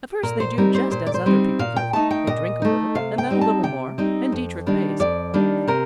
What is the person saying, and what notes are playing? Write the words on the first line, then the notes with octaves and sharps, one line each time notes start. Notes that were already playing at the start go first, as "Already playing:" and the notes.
At first they do just as other people do, they drink a little and then a little more, and Dietrich pays.
A#2 A#4
C5
G3 C4 D#4 A#4
C5
A#2 C5
D5
C5
G3 C4 D#4
A#2 F5
G5
A3 D#4 A5
G5
A#2 D#5
A3 D#4
C3 F5
G5
G3 C4 D#4
A5
C3 G5
G3 C4 D#4
F2
D#3 G3 A#3 D4
F2 D5
D#3 G3 A#3 D4
C3 A#4